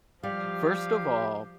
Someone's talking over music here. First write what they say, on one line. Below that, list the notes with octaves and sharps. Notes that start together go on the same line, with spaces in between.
First of all,
F3 G3 G4 F5